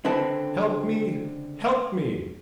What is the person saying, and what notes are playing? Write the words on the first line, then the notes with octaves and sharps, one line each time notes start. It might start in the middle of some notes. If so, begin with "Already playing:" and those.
Help me! help me!'
C#2 D3 G#3 C4 B4 A5